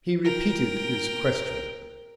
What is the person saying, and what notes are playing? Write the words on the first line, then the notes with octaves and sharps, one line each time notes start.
He repeated his question.
A#4 G5